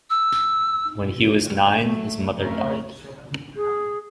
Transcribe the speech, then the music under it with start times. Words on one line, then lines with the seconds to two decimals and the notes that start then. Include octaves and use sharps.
When he was nine, his mother died.
0.10 E6
1.82 F#3 A3
2.38 F2 C#3 A3 A#4
3.56 G#4